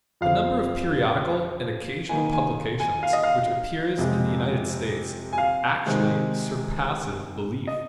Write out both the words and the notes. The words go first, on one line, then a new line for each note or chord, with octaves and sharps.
The number of periodical and occasional publications which appears in the United States actually surpasses belief.
F2 F3 C4 F5
D#3 A#3 D#4 G#5
G#5
G#5
F5
D#5
F5
F2 C3 G#3
G#5
F5
C3 D#3 G#3 C4
D#5